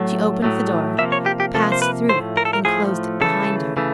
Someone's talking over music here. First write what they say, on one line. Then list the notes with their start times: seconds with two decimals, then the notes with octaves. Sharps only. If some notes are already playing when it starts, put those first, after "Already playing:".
She opened the door, passed through it, and closed it behind her.
Already playing: A2 F#3 A3
0.42 A2 F#3 A3
0.98 C3 F3 A#3 E5
1.12 C#5
1.26 G4
1.40 G4
1.54 C3 F3 A#3 A4
1.72 C5
1.82 B4
2.09 A2 F3 A3 C5
2.37 A#4
2.45 A4
2.53 A#4
2.65 A2 F3 A3 G#4
3.21 C#3 E3 A3 A4
3.77 C#3 E3 A3